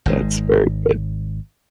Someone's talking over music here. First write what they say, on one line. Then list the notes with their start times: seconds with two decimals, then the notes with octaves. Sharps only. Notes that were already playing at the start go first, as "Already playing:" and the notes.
That's very good.
0.06 G#1 G#2 G#3